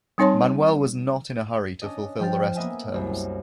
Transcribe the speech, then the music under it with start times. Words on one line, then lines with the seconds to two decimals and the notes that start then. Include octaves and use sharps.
Manuel was not in a hurry to fulfill the rest of the terms.
0.18 G3 C4 D#4 C#5 A5 C6
1.82 C#4 D4 D#5
2.19 F3 G5 F6 A6
2.56 A#3 B3 D#5 E5 G#5
2.94 C2 F#2